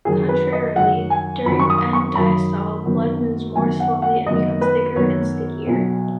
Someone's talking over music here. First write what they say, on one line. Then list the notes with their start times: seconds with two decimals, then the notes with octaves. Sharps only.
Contrarily, during end-diastole, blood moves more slowly and becomes thicker and stickier.
0.05 F#2 D#3 F#3 G#4
0.29 B4
0.53 D#5
0.76 F#2 D#3 F#3 F#5
1.10 G#5
1.46 F#2 D#3 F#3 B5
1.60 C#6
1.70 D#6
1.93 C#6
2.15 F#2 D#3 F#3 B5
2.85 F#2 D#3 B3
3.56 F#2 D#3 B3 G#5
3.80 F#5
4.02 F#5
4.26 F#2 D#3 B3 D#5
4.61 B4
4.96 F#2 D#3 B3 C#5
5.66 B1 B2 F#3